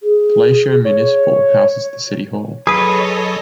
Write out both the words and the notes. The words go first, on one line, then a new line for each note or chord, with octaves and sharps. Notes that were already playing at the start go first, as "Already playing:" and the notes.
Palacio Municipal houses the City Hall.
G#4
C#5
F#3 G#4 A4 B4 C#5 D#5 D#6